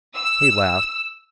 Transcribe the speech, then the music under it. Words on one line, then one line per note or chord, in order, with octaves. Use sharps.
He laughed.
E6